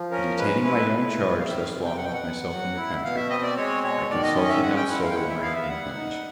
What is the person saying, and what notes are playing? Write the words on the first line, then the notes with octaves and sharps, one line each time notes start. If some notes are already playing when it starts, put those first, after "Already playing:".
In detaining my young charge thus long with myself in the country, I consulted not solely my own inclination.
Already playing: F3
C#4 A#4
G#3 B4
E4
C3
G3
F5
D#3 E5
F5
C3
G5
B2 F#5
G5
F#5
B3
F#3
E4
B2 F5
E5
C4 D#5
D5
G#3 C#5
B2 C#5
D#3 D5
D#5
C#4
D#5
E5
G#3 F#5
G5
E4 F#5
F5
G5
A#2 F#5
E5
B3 F5
E5
F5
G3 F#5
D#4